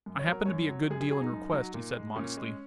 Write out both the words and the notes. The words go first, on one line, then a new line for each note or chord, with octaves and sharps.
"I happen to be a good deal in request," he said modestly.
F#2
C#5
F#3 A#4
F#2 C#5
F#3
F#2 G#4
G#4
F#3 G#4
D#4
F#2
F#3
A#2
G#3
A#2 C#4
G#3